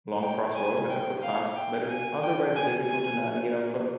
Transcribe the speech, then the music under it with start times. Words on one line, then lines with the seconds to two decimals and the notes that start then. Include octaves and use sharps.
Longcross Road has a footpath but is otherwise difficult to navigate on foot.
0.22 G5
0.55 G#5
0.89 G5
1.22 F5
1.56 G5
1.89 G#5
2.23 G5
2.56 G#5
2.90 G#5